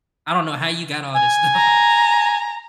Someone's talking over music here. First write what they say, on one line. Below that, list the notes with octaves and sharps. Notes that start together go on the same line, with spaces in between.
I don't know how you got all this stuff
G#5
A#5